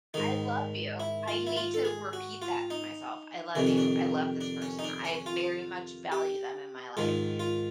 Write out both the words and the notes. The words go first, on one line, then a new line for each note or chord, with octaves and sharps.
I love you." I need to repeat that to myself. "I love you. I love this person. I very much value them in my life,
G#2 D#3 D#4
E4
F4
E4
F4
A4
G#4
F#4
F4
D#4
F2 C3 D#3 D4
C#4
D4
D4
C#4
D#4
D4
C#4
F4
G4
G#2 D#3 F4
F4